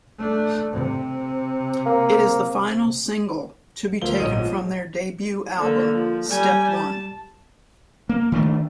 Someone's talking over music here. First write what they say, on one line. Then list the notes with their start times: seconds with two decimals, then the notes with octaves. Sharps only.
It is the final single to be taken from their debut album, "Step One".
0.18 A3 D4
0.72 C3
1.86 A#3
4.02 D2 F3 A#3 C5 F5 G7
4.20 A#1 G#2 C#5 D#5 D#6 D#7
4.37 F3 G#3 D#7
5.58 D3 A#3
5.94 F3
6.30 G3 G#5
6.71 A5
8.09 A#3
8.32 D#3 A3 D4